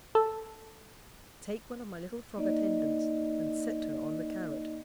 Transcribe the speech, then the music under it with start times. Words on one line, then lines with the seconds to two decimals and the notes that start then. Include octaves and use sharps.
"Take one of my little frog attendants and set her on the carrot."
0.15 A4
2.37 A#3 D#4 D5 D#5